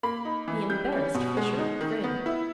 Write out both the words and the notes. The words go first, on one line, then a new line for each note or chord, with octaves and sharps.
The embarrassed Fisher grinned.
A#3 B5
D#4
E3
G3 G6
C#4
B2
G#3
D#4
D#3
B3
E4